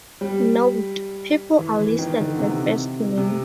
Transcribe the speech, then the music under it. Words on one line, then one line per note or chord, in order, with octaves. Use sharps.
Note: People are listed by first name.
G3
E3
E3
D#3
D3
C3
C3